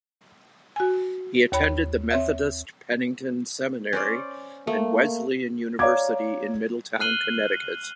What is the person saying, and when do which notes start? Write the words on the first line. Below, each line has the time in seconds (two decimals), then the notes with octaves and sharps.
He attended the Methodist Pennington Seminary and Wesleyan University in Middletown, Connecticut.
0.76 F#4 G#5
1.52 D#2 C#5 B5
2.11 C4 C#5 E5
3.93 C#4 C5 D5
4.67 A3 A#3
5.79 C#5 D5 F5 A#5 D6 G#6
7.00 F6 F#6 C7 D#7 F#7 G7